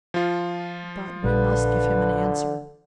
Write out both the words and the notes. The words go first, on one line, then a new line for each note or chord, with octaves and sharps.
"But we must give him an answer."
F3 F4
A#1 D3 B4